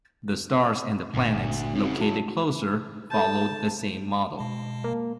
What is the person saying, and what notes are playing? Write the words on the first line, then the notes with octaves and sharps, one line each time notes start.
The stars and the planets, located closer, followed the same model.
G1 D2 A#2
F#2 C#3 C4 D#4
E4 F#4 A5
A4 A5 G6
B2 G#3 A5
A#3